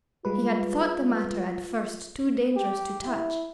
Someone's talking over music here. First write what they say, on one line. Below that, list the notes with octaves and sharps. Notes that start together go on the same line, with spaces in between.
He had thought the matter at first too dangerous to touch.
G3 G#3 F4 B4
G4
E4